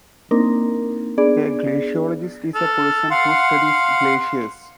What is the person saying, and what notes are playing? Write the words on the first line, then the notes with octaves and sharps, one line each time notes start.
A glaciologist is a person who studies glaciers.
A#3 C4 D4 D#4 A#4
B3 D4 G#4 D5
A4 F6
F5 F#5 C6